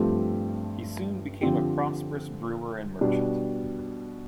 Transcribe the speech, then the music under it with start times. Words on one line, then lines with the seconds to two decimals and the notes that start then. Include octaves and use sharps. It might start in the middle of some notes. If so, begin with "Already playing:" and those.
He soon became a prosperous brewer and merchant.
Already playing: G2 F3 A3 C4 G4
1.41 D3 F3 C4 G4
3.01 B2 G3 D4